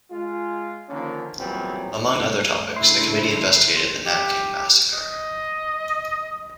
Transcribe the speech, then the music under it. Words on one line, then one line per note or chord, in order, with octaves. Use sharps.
Among other topics, the committee investigated the Nanking Massacre.
G#3 F4
D3 D#3 F3 A#3 C#4
E2 A#2 F#3 G3 B3 C4
G2 A3
C#3 D4 E4 C6
G4
D#5